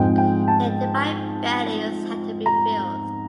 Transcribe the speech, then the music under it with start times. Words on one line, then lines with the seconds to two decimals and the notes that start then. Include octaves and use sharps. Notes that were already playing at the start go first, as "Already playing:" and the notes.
Their divine bellies had to be filled.
Already playing: G#2 F3 G#3 C4 G5
0.18 G5
0.48 A5
2.46 A#5